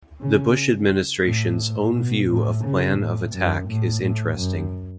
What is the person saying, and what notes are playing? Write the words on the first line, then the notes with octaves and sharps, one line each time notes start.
The Bush administration's own view of "Plan of Attack" is interesting.
C#3
A2
B2
A2
C#3
A2
F#2
A2
A2
F#2